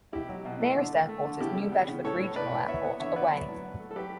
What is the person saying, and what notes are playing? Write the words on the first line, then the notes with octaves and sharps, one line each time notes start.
The nearest airport is New Bedford Regional Airport, away.
B2 E4 G4
F#3
B2
A3
D3
A3
A3
D3
C#3 E4 G4
G3
B3
C#3
A2 A4 C#5
A2
A2 B4 D5
A2
B3 C#5 E5
B3
D3 C#5 E5
B3 B4 D5
F#3
A2
F#3
A3
A4
F#3 G4 B4